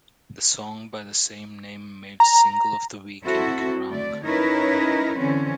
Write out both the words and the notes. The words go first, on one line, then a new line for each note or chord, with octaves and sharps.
The song by the same name made Single of the Week in Kerrang!
A#5
C4 E4 F#4 A4
D3 A3 D5
C#4 D#4 E4 A#4 B4 C#5
D3 E3 C4 C#4